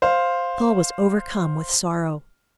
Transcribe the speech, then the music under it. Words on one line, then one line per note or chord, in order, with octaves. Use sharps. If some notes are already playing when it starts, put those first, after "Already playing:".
Saul was overcome with sorrow.
C5 F5